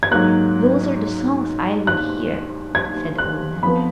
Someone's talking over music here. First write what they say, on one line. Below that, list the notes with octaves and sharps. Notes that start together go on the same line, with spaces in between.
"Those are the songs I would hear," said the old man.
G#6
G#2 F#3 A#3 F#6
F#6
G#6
F#6
F2 F3 B3 B5